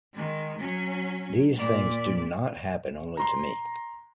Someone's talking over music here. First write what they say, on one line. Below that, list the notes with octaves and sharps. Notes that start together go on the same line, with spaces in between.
These things do not happen only to me.
D#3 G#3
F#3 C#4
A#2 D5
A#5 C6